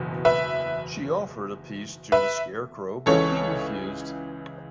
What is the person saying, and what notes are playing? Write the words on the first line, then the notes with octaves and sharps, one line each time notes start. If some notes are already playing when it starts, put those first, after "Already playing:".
She offered a piece to the Scarecrow, but he refused.
Already playing: F#1 E2 B2
B4 E5
B4 E5
C#2 C#3 E3 A4 C#5